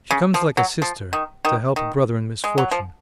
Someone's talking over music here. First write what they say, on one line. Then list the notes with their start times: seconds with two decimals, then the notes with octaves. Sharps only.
She comes like a sister to help a brother in misfortune....
0.11 C#3
0.34 F3
0.57 F#3
0.82 F3
1.13 D#3
1.45 D#3
1.76 D#3
2.44 G#3
2.58 F#3
2.71 F3